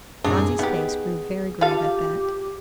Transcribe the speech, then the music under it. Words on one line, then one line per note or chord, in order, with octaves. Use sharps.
Phronsie's face grew very grave at that.
F#2 A2 C3 D4 D#4 G#4
B3 D#4 G4
F4 G4 A4 F5